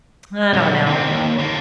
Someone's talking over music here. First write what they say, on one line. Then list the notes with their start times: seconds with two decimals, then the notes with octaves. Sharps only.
I don't know.
0.53 B1 F2
0.87 D#3 C4
1.10 D#2
1.39 D3 A#3